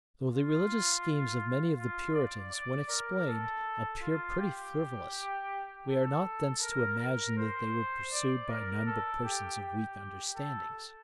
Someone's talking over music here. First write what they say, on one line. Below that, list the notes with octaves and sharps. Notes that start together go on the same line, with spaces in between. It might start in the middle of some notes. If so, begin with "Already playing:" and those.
Though the religious schemes of many of the Puritans, when explained, appear pretty frivolous, we are not thence to imagine that they were pursued by none but persons of weak understandings.
F4
F4
D5
D5
A#4
A4
F4
G4
A4
A#4
A#4
C5
D5
A#4
A4
G4
G4
A4